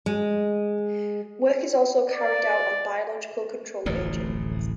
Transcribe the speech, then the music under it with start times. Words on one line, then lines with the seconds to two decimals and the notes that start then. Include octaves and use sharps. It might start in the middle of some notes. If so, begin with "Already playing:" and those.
Work is also carried out on biological control agents.
0.06 G#3
2.12 D5
3.86 D1 A1 F2 A2